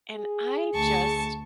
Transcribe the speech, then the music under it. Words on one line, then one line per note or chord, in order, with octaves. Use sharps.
and I just
G#4
D2 A5 C#6